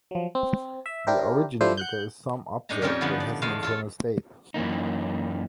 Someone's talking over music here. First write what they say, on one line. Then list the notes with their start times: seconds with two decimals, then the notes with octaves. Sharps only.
The originator is some object that has an internal state.
0.11 F3 F#3
0.35 C4
0.86 E5
1.07 D4 E4 G4 A#4 C5
1.61 F3 G3 A3 D4 E4 C5
1.77 F#5 F#6 G6
2.69 A2 D4 D#4 G#5 A#5
2.81 F2 C4 C#4 G4 A#4 C#5
3.01 D3 E3 F3 B3 D#4
3.20 D5
3.42 E2 G#3 A3 F5
3.63 F4 A4 C#5
4.54 F#2 E3 A#3 D#4